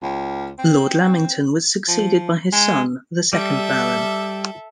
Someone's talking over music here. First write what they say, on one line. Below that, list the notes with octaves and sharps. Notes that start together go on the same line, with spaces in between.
Lord Lamington was succeeded by his son, the second Baron.
C#2
C4
F3
G#3
G3 A4 E5